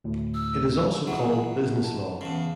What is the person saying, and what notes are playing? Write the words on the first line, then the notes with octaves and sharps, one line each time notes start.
It is also called business law.
D2 A2
E6
A1 F#3 E4 G#4
A5
E2 C#3